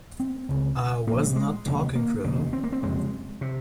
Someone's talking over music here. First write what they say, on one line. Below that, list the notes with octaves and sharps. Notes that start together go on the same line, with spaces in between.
I was not talking drivel.
C4
C#2 C#3
A#1 A#2 A#3
G#3
G#3
F1 D#2 C#3
A#3
F1 D#2 C#3
C4
A#3
C4
F#1 F2 C3 G#3
C3